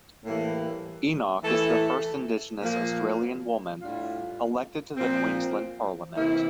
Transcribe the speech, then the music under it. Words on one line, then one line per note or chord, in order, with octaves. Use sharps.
Enoch is the first Indigenous Australian woman elected to the Queensland parliament.
A2 E3 G3 A#3
E3 A3 E4 A4
A#2 F3 A#3
A2 G3 D4 F4
A#2 F3 C4
C3 E3 A#3 E4